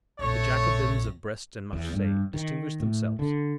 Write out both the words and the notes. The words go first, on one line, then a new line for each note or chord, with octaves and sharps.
The Jacobins of Brest and Marseilles distinguished themselves.
A#1 F2 A#2 A3 C#5
E2
G2
D#3
A2
D3